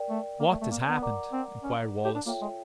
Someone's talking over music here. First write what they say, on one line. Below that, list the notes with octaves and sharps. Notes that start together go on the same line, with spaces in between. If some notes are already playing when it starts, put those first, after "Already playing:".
"What has happened?" inquired Wallace.
Already playing: A#4 D5 G5
A3
A#3
A3
A3
A#3
B3
A#4 D5 F#5 A#5 D6
C4
C#4
G4
D4
A#3 F4 A4 C#5 E5 G5
G#3